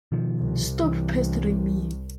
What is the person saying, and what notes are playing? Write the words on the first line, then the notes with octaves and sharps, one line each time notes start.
Stop pestering me!
B2 D#3 F3
C2
E3